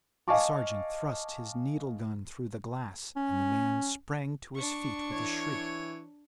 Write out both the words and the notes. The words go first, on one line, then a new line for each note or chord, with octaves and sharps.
The sergeant thrust his needle-gun through the glass, and the man sprang to his feet with a shriek.
D#5 F5 G#5 A5 C#6 D6
C#4
D4 C#6
E3 C#5